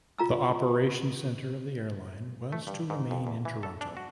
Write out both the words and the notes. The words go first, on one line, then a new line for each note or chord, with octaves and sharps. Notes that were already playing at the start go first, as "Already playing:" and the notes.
The operation centre of the airline was to remain in Toronto.
F4 A#5 E6
A3
G2
G#2
F2
E2
E3
A4
D4
F#4